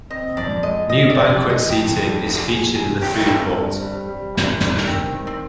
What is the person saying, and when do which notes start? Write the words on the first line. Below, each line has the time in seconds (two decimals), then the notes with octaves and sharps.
New banquet seating is featured in the food court.
0.10 C4 D#5
0.37 F2 D5
0.63 G#3 D#5
0.90 C4 D#5
1.10 D5
1.17 F2
1.30 D5
1.43 G#3
1.50 D#5
1.69 F2 G4
1.96 F2
2.22 F1
2.48 F2 G#4
2.75 C3 G#4
3.02 F2 G4
3.28 G1 C4
3.55 G2
3.81 G3
4.08 G3
4.35 G1
4.61 G2
4.87 D#3 C4
5.15 D#3
5.27 C4